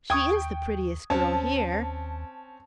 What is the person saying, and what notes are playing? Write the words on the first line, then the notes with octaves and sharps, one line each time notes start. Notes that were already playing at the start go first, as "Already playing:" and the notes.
"She is the prettiest girl here."
D#2 G5 C#6 D#6 G#6
D#2 C4 C#4 A5